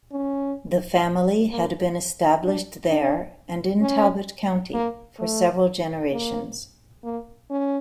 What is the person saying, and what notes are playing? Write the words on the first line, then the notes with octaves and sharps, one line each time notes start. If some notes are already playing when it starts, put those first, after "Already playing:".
The family had been established there and in Talbot County for several generations.
C#4
A#3
D4
D4
C#4
A#3
A3
A#3
A#3
C#4